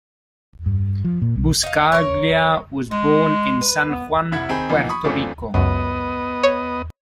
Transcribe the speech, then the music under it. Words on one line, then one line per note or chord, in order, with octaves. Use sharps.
Buscaglia was born in San Juan, Puerto Rico.
G2
F3
A#2
B1
D#4 F5
A#4 C#5
G#3 D#4
B4
B3
F1 C2 E4 E5 F#5 G#6
D#3 C4 G#4 G#5 B5
E3 F3 A#3 B3 D#4
B5 C#6 D#6
F#2 E3 A3 C4 D4 F4
C#2 F#2 B3 D#5
C#5